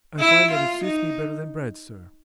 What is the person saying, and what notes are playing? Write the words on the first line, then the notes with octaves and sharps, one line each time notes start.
"I find that it suits me better than bread, sir."
E4
F4
D#4